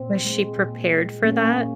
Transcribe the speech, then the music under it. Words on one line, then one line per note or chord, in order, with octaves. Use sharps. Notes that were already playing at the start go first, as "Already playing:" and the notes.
Was she prepared for that?
Already playing: A#2 C4
G#3
A#2
G#3
A#2 A#3 C#4
A#2